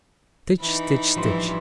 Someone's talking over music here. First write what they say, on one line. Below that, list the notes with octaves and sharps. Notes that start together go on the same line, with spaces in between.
Stitch, stitch, stitch.
E3 D#4 B5
A1 G2 E3 F3 C6